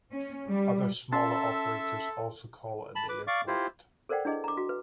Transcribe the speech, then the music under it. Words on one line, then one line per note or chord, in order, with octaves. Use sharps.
Other smaller operators also call at the airport.
C#4
G3
C#4 A4 E5 A5 C6
A5 B5
B4 D6
D5 F5 C#6 D6
E4 F4 G4 C5
A4 A#4 C5 D5 F#5 G5
D4 E4 G#4 D#5
A#5 D6
F#4
B4